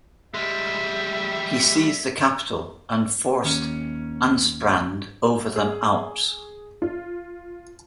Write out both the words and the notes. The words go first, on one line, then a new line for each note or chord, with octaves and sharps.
He seized the capital and forced Ansprand over the Alps.
G3 G#3 E5
D#2 C#4
G#4
F4